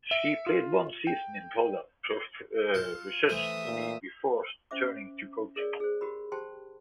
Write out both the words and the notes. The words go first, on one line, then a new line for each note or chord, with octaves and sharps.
She played one season in Poland professionally before turning to coaching.
E5
F4
G5
F4 A5
E3 A3 C5 E5 D#6
A#2
C#4 C5 E5 D6
G#4 A#4 C#5 D5
G#4 C5
F#4 G4 A#4 B5
G4 C5 G5 A5 C6